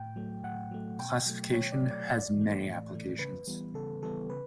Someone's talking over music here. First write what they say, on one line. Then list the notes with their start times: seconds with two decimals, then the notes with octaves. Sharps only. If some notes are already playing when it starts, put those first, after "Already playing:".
Classification has many applications.
Already playing: A2 G5
0.16 F#3 A3
0.43 A2 F#5
0.71 F#3 A3
0.99 B2 G5
1.26 F#3 A3
1.54 B2 C#5
1.72 D5
1.81 F#3 A3
1.91 D5
2.09 A2 D5
2.36 E3 A3
2.64 A2
2.92 E3 A3
3.19 C#3 B4
3.47 E3 G3 B3
3.74 C#3 A4
4.02 E3 G3 B3 A4
4.30 C#3 B4